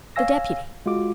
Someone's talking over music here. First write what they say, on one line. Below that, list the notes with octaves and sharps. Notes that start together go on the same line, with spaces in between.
"The deputy."
C#5 F5 G#5 E6 A#6
G#3 F4 F#4 D6